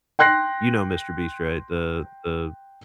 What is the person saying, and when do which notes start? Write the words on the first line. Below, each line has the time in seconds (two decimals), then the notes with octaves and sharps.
you know MrBeast, right, the the
0.19 G5 C6 F#6 A#6 C7